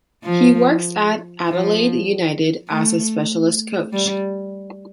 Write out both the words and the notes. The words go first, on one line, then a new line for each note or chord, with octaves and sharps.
He works at Adelaide United, as the Specialist Coach.
F3
F3
A3
G3